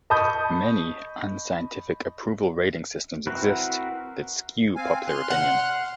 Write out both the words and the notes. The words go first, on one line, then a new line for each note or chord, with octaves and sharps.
Many unscientific approval rating systems exist that skew popular opinion.
D#5 A5 B5 C#6 D#6 G6
C4 E4 F#4 A#4 B4
C4 F5 G#5
C6 F6 F#6
F#5